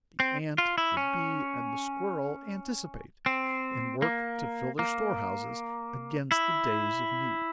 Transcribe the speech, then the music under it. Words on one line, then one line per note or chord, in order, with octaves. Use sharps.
The ant, the bee, and the squirrel anticipate, and work to fill their storehouses against the days of need.
C4
F4
E4
C#4
C4
A#3
A#3
E4